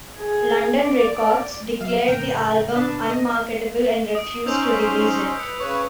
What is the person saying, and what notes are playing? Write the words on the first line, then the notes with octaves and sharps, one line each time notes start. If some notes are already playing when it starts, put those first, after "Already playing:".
London Records declared the album unmarketable and refused to release it.
G#4
D5
F#3 E5 F5
F2 A2 C#3 A#4 G5 A#5
D4 B4 A5
D#5
D#6 D7
C#4 D#4 C5 E6 G6 F7
B6
B4 G6 C#7
C#3 B4 C#5 C#6